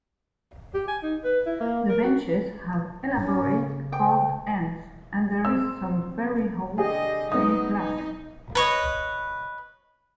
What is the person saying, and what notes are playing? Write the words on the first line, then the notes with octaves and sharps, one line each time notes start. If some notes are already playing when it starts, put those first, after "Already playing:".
The benches have elaborate carved ends, and there is some very old stained glass.
G4
G#5
D#4
B4
E4
A#3
A#4
F#4
G#2 C#4
C#3
C5 G5
C4 E6
D3 G4 G#4 D#5
F#3 B3 D#4 D#6
D#4
B4 C#5 D#5